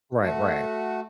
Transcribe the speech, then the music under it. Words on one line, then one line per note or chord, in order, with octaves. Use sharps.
Right, right.
A3 F#4